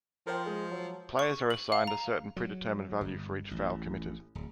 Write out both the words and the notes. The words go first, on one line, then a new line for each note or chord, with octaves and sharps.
Players are assigned a certain predetermined value for each foul committed.
F3 A#4 C5 G5
G#3
F#3
C#6
F#7
F5
A#5
F#3
G1
A1
D1